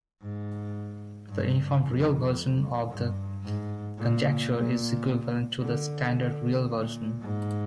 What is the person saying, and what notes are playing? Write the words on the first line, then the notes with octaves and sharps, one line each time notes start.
The uniform real version of the conjecture is equivalent to the standard real version.
G#2
G2
F2
G2
G#2
A#2
A#2
D3
D3
A#2
G#2